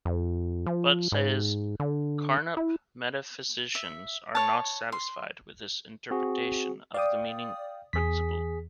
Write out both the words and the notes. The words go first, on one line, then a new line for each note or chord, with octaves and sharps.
But-says Carnap-metaphysicians are not satisfied with this interpretation of the meaning of 'principle'.
F2
F3
G#2
D3
E4
E5
C#5 A5
C6
C4 F#4 G#4
D5 F5 G5 D#6
E2 G#4 B6